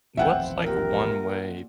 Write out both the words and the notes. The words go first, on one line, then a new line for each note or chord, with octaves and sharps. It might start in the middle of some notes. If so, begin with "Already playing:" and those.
what's like one way
D#1 A1 F2 F3 B3 E5 F#5 G5
A#2 G4 A#4